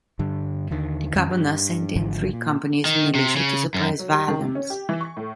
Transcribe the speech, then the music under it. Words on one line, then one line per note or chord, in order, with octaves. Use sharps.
The governor sent in three companies of militia to suppress violence.
G2 D3 G3
D#2 D3 D#3
F2 D#3 C#4
G2
G#1 G#2 D3 F3
A#2
D#3
C3
C#3
F#2
F#3
G3
D#3
C3
C#4
G4
E3
C#6
A2